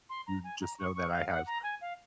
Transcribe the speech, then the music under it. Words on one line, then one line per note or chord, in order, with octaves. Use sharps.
You just know that I have
C6
A#5
G#5
A#5
C#6
C#6
F5
F#5
A#5
G#5
F5